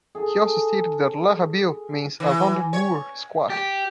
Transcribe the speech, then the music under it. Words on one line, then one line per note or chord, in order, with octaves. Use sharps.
He also stated that "larrabil" means a "rounded moor, squat".
G#4 A4
E3
C#5
G4